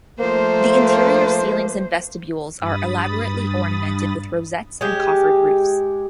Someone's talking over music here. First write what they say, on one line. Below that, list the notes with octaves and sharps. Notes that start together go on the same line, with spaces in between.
The interior ceilings and vestibules are elaborately ornamented with rosettes and coffered roofs.
F3 A3 A#3 C5
G2 B5 D#6 A6
G#3 G4